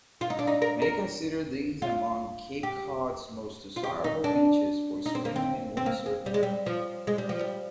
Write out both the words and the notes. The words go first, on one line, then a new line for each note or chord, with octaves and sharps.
Many consider these among Cape Cod's most desirable beaches for swimming and windsurfing.
F4
D#4
D4
D#4
A#4
A#4
F4
G4
F4
G4
D#4
D4
D#4
C4
A#3
C4
C4
A#3
G#3
G3
G#3
G3
F3
G#3
G3
F3
G3